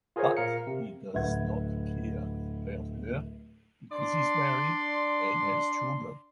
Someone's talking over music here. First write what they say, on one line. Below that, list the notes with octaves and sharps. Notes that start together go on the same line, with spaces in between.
But he does not care about her because he is married and has children.
F4 G#4 A#4 C5 C#5 F5
A#2 A#4 F5 C#7
C3
D1 B4 E5 F#5 G#6
D4 D5 C6